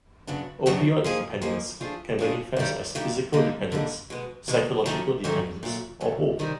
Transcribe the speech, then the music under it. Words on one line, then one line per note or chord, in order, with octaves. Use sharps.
Opioid dependence can manifest as physical dependence, psychological dependence, or both.
F#2 C#3 F#3 B3 D4
F#2 C#3 F#3 B3 D4
F3 A#3 D#4 G#4
F3 A#3 D#4 G#4
F3 A3 D4 F4 G#4
F3 A3 D4 F4 G#4
G2 D#3 G3
G2 D#3 G3
D3 G3 A#3 D#4
D3 G3 A#3 D#4
B2 G#3 B3
B2 G#3 B3
G#2 D#3 F#3 A3 C#4
G#2 D#3 F#3 A3 C#4
A#2 F#3 A3
A#2 F#3 A3
C3 D#3 G3